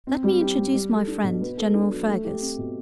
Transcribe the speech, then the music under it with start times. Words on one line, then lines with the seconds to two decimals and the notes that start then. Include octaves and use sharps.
Let me introduce my friend, General Fergus.
0.07 C4
0.24 G3
0.41 G4
0.58 G3
0.74 G3
0.91 A4
1.07 D4
1.24 B2
1.42 B3
1.58 A4
1.75 D4
1.91 F#3
2.08 A3
2.24 G4
2.41 C4
2.58 B2